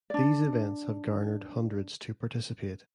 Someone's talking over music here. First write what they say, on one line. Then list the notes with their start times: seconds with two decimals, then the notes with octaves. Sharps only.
These events have garnered hundreds to participate.
0.10 D4 D5